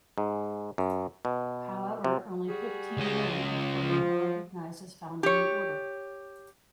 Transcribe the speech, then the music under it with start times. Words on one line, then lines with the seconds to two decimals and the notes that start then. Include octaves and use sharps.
However only fifteen men of birth are recognized as founding the Order.
0.18 G#2
0.78 F#2
1.25 B2
2.04 C3
2.48 G3 F#4 G#4
2.97 C#2 D#5
3.90 F3
5.23 G4 C#5